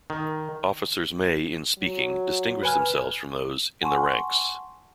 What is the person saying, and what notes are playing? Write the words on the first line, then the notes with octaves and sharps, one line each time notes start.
Officers may, in speaking, distinguish themselves from those ""in the ranks"".
D#3
F#3
B4 G#5 F6
F#5 G#5 A5 C6 C#6